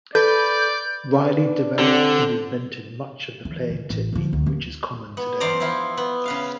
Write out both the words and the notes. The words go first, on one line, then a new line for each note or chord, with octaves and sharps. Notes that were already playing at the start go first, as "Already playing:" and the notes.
Reilly developed and invented much of the playing technique which is common today.
A4 B4 D5 G6
D4 B4
D3 C4 A4
E3
C#3
A1
D3 F3
D2
A#3
B3
E2 C5 D5 A#5
F3 B3 E4 F4
B3
C#3 B4 F5